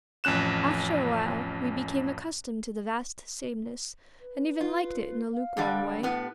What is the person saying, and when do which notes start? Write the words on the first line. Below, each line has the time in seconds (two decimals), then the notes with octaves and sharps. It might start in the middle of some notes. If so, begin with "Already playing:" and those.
After a while we became accustomed to the vast sameness, and even liked it in a lukewarm way.
0.24 A1 F2 C#4 F#6 E7
4.19 B4
4.61 F4
5.32 F5
5.57 G2 D3 G3
6.03 A2 B3 G4